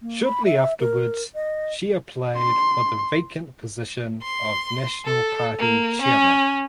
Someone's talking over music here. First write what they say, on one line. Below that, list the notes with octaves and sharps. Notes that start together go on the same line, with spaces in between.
Shortly afterwards she applied for the vacant position of national party chairman.
A#3
B5
E5
A#4
D#5
C6
C6
A4
A#3
C#4